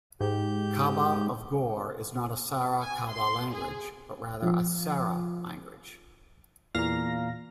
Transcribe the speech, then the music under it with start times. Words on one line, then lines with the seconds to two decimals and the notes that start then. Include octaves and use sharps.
Kaba of Gore is not a Sara Kaba language, but rather a Sara language.
0.21 G#2 G4 G6
2.81 G#5
3.10 C6
3.52 G#4
4.42 F3
6.75 E2 A#2 F5 A#5 A#6